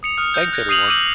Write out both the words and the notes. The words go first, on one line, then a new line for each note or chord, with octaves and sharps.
Thanks everyone!
D#6 C#7 F7
D#6 F6 F#6
G6 A#6
F#6 G#6 A#6
D#6 C7 D#7 F7 F#7
D6 E6 F#6 G6 D#7 F#7